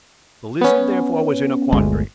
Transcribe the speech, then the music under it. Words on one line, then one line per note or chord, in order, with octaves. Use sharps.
The Lizard therefore was in a quandary.
B3 C#4
G1 D2 G#3